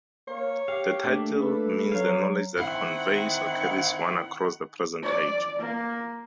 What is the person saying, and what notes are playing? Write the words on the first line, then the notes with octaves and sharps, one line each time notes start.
The title means the knowledge that conveys or carries one across the present age.
A#3 C#5
G4 F5
A3 A#3 D4
A4 B4
F#3 C#5 F5
D#3 C4 E4 F#5
D5
A#3